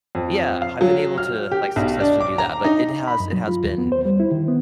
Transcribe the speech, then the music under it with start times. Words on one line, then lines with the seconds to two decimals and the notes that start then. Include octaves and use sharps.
Yeah, I've been able to, like, successfully do that, but it has it has been,
0.15 F2
0.62 F5
0.81 F#3
1.18 F6
1.51 G4
1.76 B1
2.00 D4
2.20 D6
2.38 A#5
2.64 D#4
3.08 B5
3.20 F#2
3.33 F#3
3.48 F4
3.64 D#2
3.78 B3
3.92 C5
4.05 G3
4.20 E4
4.31 D#3
4.48 B3